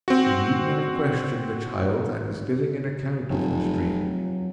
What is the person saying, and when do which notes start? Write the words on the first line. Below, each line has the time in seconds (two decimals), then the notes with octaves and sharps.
We need not question the child that is giving an account of his dream.
0.08 C4 F#4
3.30 F1 F#3